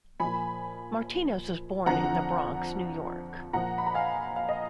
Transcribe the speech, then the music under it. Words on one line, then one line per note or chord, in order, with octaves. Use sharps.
Martinez was born in the Bronx, New York.
A#2 F3 G#5 B5
F2 D3 F3 F#5 A#5
A#2 F3 F#5 A#5
B5
A#5
F5 G#5
F5
D#5